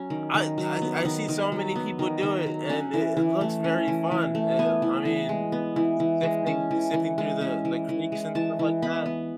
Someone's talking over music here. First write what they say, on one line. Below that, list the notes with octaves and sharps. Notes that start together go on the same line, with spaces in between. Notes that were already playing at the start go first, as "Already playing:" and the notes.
I I I see so many people do it, and it it looks very fun, uh, I mean, sifting sifting through the the creeks and stuff like that.
Already playing: F#3 C#4
D#3
D#3
F#3
B3
D#3
D#3
F#3
B3
D#3
D#3
F#3
C#4 F#5
E3
E3
A3
C#4
E3
E3
A3
B3 G#5
E3
E3
G#3
B3
E3
E3
G#3
C#4 A5
E3
E3
G#3
C#4
E3
E3
G#3
E3 A5
E3
B3 B5
B3